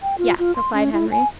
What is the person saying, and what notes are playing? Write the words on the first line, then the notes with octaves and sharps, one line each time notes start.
"Yes," replied Henry.
G5
F4
F4
C6
C#4
E4
G#5